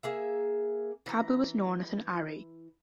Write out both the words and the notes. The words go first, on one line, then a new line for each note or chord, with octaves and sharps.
Cabel was also known as Ary.
A#3 G#4 E5
E3 A#5